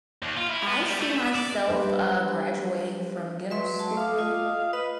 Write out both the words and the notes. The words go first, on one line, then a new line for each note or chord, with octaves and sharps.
I see myself, uh, graduating from dental school.
D#2
F4
E4
B3
G3
A3
E5
D5
G3 D4 B4 C5
F#3 B4 E5 C6
A5
F5 D6 D#6
F4 D#5 D#6
B4 D#5